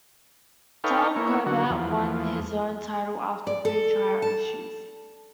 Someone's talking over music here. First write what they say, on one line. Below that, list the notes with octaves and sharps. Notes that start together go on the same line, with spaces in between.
Tom Corbett won his own title after three tryout issues.
D#4 A4 B4 C#5 F5 G5
A#3 E4 C#5
D3 F#3 F#4
E2 F3
D5
A4
A5